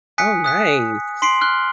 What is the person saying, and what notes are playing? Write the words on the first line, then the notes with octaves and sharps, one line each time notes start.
Oh, nice.
G#5 D#6 F#6 B6 C#7
D#6 F#6 B6
C6 B6 C7 D7 F#7
F6 F#6 G7